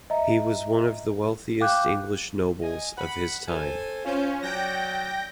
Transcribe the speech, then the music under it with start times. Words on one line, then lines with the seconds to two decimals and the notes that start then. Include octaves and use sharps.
He was one of the wealthiest English nobles of his time.
0.10 D#5 E5 A#5
1.61 F5 G5 D6 F#6 G6
2.63 D#5 G#5
2.97 F#5 B5
3.48 A4 C5 G#5
4.05 C#4 F4 C5
4.42 F#3 D5 G5 G6 A#6